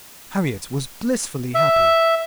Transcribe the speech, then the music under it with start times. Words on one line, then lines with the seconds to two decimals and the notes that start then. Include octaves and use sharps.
Harriet was blissfully happy.
1.54 E5